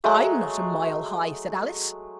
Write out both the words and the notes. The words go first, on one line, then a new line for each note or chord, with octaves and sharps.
'I'M not a mile high,' said Alice.
F#3 G#3 A3 G#4